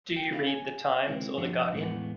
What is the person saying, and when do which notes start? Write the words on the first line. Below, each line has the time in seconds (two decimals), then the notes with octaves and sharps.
Do you read The Times or The Guardian?
0.16 G5
0.31 D4 G#4 A4 B4 E5 F5
0.47 G#5
1.07 C3 G#3 C4 E4
1.37 G2 F3 D4 F#5
1.73 E2 A2 G#3 B3 E4 F#5